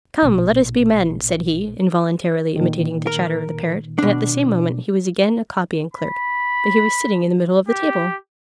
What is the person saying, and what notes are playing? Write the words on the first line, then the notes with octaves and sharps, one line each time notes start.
"Come, let us be men!" said he, involuntarily imitating the chatter of the Parrot, and at the same moment he was again a copying-clerk; but he was sitting in the middle of the table.
A#1 B2
A#2 D#3
A#4
B2 D4
B5
G4